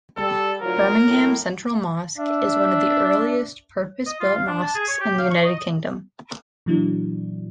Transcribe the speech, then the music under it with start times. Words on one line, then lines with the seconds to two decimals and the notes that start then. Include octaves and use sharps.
Birmingham Central Mosque is one of the earliest purpose-built mosques in the United Kingdom.
0.17 G3 A4
0.62 D2 F#3 F4 A#4
1.06 F#2 A2
2.18 D4 E5
4.06 D#5
4.20 F4
4.35 F5
4.47 D4
4.63 A5
4.75 G#4
4.87 C#5
5.00 G4
5.18 F5
5.30 C#6
5.45 D#5
6.66 A#2 E3 F#3 D4 E4